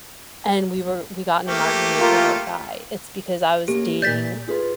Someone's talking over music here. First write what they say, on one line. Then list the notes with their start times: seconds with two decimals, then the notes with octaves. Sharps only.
and we were we got in an argument over a guy, it's because I was dating
1.47 A3 A#3 G4
2.00 F4 A#4
3.68 A#3 C#4 G4
4.02 A#2 D5 G6 A6 B6
4.47 F4 G#4 B4